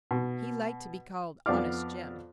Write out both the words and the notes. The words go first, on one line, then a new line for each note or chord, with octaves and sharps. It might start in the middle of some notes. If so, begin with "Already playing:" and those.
He liked to be called Honest Jim.
B2
F2 B3 D5 F5 D6 F6